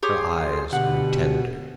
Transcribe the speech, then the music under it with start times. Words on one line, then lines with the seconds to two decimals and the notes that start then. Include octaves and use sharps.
Her eyes grew tender.
0.03 G4 G#4 C#5 C6 D#6
0.73 B2 D3 G4 F#5